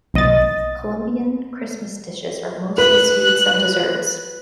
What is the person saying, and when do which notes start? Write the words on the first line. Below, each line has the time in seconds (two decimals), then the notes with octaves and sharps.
Colombian Christmas dishes are mostly sweets and desserts.
0.14 B1 D#5 A6
2.78 B4 F#6